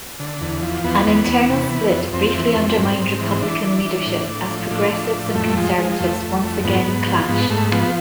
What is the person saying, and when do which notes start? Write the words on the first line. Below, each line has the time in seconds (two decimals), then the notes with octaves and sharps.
An internal split briefly undermined Republican leadership, as progressives and conservatives once again clashed.
0.20 D3
0.41 E2
0.62 F3
0.84 E2 B3
1.06 E2
1.27 E2
1.49 C3
1.70 E3
1.92 F2
2.13 F2 C4
2.35 E3
2.56 F2
2.77 G#2
2.99 G#2
3.21 E3
3.31 C4
3.42 E3 D4
3.64 E3
3.85 E3
4.06 A2
4.29 A2
4.49 F3
4.70 A2 D4
4.93 F3
5.14 A2
5.35 F2 A3
5.57 F3 G#3
5.78 F3 G#3
6.00 F2 A3
6.22 F2
6.43 F2
6.64 G#2 B3
6.86 G#2
7.07 F3
7.29 G#2 B3
7.50 G#2 A3
7.72 F3 B3